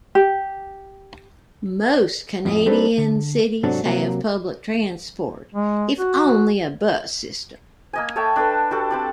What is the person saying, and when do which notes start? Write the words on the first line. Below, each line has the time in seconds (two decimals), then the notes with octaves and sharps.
Most Canadian cities have public transport, if only a bus system.
0.15 G4
2.45 F2 A2 D#5
2.66 G3 C4 D4 D#4 A4 B4
2.98 D3
3.63 G#2 C3 F#3 D4 F#4 A4
3.85 C3 F#3 A#3
5.55 G#3
5.99 F#4
7.93 A#3 D#5 G#5
8.16 A4 C#5 E5 G5
8.36 D4 A4 B4
8.71 F#4 G4 A4
8.91 C4 G4 D5